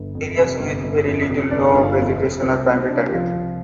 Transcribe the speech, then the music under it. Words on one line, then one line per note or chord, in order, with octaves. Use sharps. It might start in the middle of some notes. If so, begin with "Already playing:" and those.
Areas with very little to no vegetation are the primary target.
Already playing: G1
F2
C3
G1
G1
F2
C3
G1 D4 D5
G1
F4 F5
F2
C3
C2 C4 C5
C3 C4
C3 D4
G4
C2 F3 F4
C2